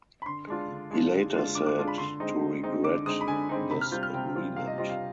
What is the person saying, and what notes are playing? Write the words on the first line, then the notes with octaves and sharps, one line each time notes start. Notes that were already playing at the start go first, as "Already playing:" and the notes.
He later said to regret this agreement.
B5
D3 C6
G#3 D4 F4
D3
G#3 D4 F4
D3
G#3 D4 F4
D3 D6
D6
G#3 D4 F4
B5
D3 C6
G#3 C4 D#4
D3
G#3 C4 D#4
D3 D6
G#3 C4 D#4 D#6
B5
D3 G#5
G#3 C4 D#4
C3 B5
F6
G3 C4 F4 G6
F6
C3 G5
G3 C4 F4
C3 F5
D#5
G3 C4 F4 D#5
F5